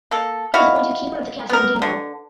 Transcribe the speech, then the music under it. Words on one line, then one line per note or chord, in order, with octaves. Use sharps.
He was appointed keeper of the castle of Dingwall.
A#3 A4
D#3 E4 F#4 F5
B3 A#4
D3